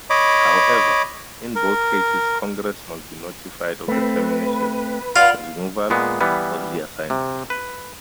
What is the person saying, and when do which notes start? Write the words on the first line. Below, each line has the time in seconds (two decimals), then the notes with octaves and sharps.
However, in both cases Congress must be notified of the termination, removal, or reassignment.
0.10 C#5 D#5 B5 D6
1.56 A#4
3.88 A3 C4 B4
5.16 F4 D5 F5 F#5
5.90 A#2 G#3 B3
6.21 E3 G3 B3
7.10 C3
7.50 B4